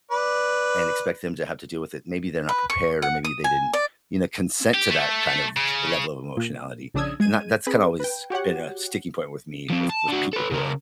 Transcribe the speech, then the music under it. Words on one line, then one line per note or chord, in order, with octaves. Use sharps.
and expect them to have to deal with it, maybe they're not prepared or maybe they didn't, you know, consent to that kind of level of emotionality. And that that's kinda always been a sticking point with me, with with people who are
B4 D5
B4
C#6
F#5
D#6
G#5
D5
G4
A3
C#3
A#2
A#1 C#3 D4 D#6 E6 G#6
G#3 G#6 D#7
C4 G#4 B4
B4 G5
F#4 G4 C#5 F#5
F3 C4
A5
D3 F#4
A4 B4
C#3 A#4